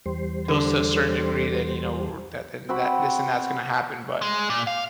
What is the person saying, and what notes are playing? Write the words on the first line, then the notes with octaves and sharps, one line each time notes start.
goes to a certain degree, then you know, r that then that that this and that's gonna happen. But,
E2 G3 C5
D3
C4 F#4 G5 B5
G#3
A#2
F5